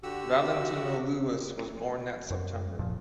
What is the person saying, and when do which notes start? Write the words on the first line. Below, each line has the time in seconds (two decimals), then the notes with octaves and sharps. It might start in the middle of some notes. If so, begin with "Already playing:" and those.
Valentino Louis was born that September.
0.03 D3 F#4 G4 E6
2.30 F#2
2.79 E1 D#2 A#2 F3